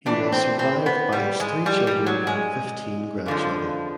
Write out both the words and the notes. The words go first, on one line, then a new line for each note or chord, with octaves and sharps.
He was survived by his three children and fifteen grandchildren.
A2 E3 D4
C4
C4
B3
G3
G#3
G3
G3
F#3
G#3
F2 D3 F3